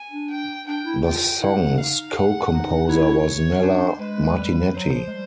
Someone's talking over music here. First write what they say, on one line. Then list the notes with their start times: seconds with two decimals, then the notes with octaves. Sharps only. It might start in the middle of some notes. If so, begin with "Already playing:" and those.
The song's co-composer was Nella Martinetti.
Already playing: G#5
0.11 D4
0.30 G5
0.66 D4 G5
0.85 E4
1.04 F4 G5
1.41 E4 F#5
1.53 D#4
1.66 D#4
1.78 F5
2.15 F#5
2.53 D#4
2.83 D#4
2.89 E4 C#5
3.59 C#4
3.63 D4 C5
3.99 G#3 B4
4.30 G#3
4.37 G3
4.74 F#3 C5
4.92 F3
5.07 G#3
5.11 G3